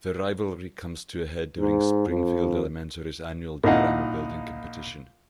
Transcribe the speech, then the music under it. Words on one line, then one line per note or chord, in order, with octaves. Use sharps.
Their rivalry comes to a head during Springfield Elementary's annual diorama building competition.
G#2
F2
A#1 D#4 E4 D#5 F5 F#5